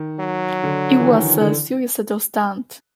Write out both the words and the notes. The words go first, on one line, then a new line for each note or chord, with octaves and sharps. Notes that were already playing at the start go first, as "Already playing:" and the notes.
It was a suicidal stunt.
Already playing: D#3
F#3
D3
E3
D#3
D3